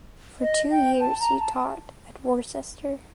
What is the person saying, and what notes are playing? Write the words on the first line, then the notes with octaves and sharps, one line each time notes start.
For two years she taught at Worcester.
D#5
G5
A5
A#5
A5